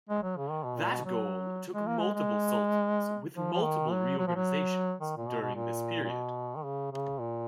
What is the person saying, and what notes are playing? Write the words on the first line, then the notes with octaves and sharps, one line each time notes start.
That goal took multiple Sultans with multiple reorganizations during this period.
G#3
F#3
C#3
D#3
B2
A#2
B2
F#3
G#3
A#3
G#3
G#3
F3
F3
D#3
F#3
F#3
F3
F#3
D#3
A#2
B2
B2
A#2
A#2
B2
D#3
C#3
C#3
A#2